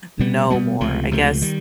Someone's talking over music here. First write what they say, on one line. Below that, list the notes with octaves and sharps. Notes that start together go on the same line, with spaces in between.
know more? I guess,
B2 G3 B3
B2 G3 B3
C#2 C3 F3 A3
C#2 C3 F3 A3
D#3 G3